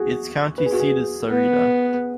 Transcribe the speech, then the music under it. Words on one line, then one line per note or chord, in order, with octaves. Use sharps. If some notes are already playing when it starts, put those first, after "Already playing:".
Its county seat is Sarita.
Already playing: F#4 G#4
B4
G#4
F#4
G#4
B3